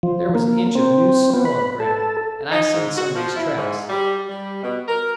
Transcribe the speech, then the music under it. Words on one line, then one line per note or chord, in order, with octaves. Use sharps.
There was an inch of new snow on the ground, and I seen somebody's tracks.
F3
A#3
C4
B3
B4
A4
D#4
G#2
F#4
F3
E4
G#2
G3
G3
B2
A#4